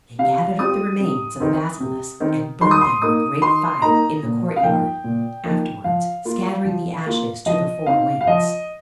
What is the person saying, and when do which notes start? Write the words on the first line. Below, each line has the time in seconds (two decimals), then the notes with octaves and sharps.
They gathered up the remains of the basilisk, and burnt them in a great fire in the courtyard, afterwards scattering the ashes to the four winds.
0.19 C3 F5
0.59 G3 C4 F4 D#6
1.00 C3
1.40 D#3 C4
1.80 C3
2.20 D#3 C4
2.61 D#3 C6
2.71 D#6
2.81 C6
3.02 A#3 D#4 D#6
3.42 D#3 C6
3.82 A#3 D#4 A#5
4.23 A#2
4.56 F5
4.63 F3 A#3 D#4 G5
5.04 A#2
5.44 F3 A#3 D#4
5.84 F3 F5
6.25 A#3 F4
6.65 F3
7.06 A#3 F4
7.46 F3 D#5
7.86 C4 D#4 F5
8.21 F5
8.27 F3 D#5